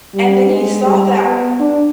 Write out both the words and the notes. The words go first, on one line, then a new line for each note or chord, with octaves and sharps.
And then he saw that
G3
G#3
G3
B3
D4